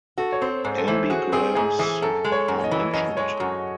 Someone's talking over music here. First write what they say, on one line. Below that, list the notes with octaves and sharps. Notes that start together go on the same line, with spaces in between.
Ambigrams are mentioned.
F#4 A4
C#5
C4 C5
G#2 C5
A4
E3 C5
F#4 G#4
C4 G#4
G#2 G#4
E3 G#4
F#2 A4
G#3
C#5
F#2
D#5
E3
F#2 D#5
G#3 C#5
F#2 F#4